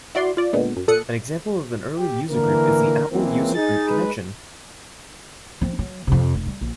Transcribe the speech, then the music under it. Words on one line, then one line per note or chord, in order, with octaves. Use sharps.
An example of an early user group is the Apple User Group Connection.
E4 F#4 D5 C6
F4 D5
A#2 D3 G#3 B3
F#2
A#2 A4 D#6 F#6 C#7
G4
D3 E3 A#3 A#4
C#2 E3 A#3 C4
D#4 G#4 A6
G#3 B4
F3 C4
F#3
F2 C3
F1
G3
A#1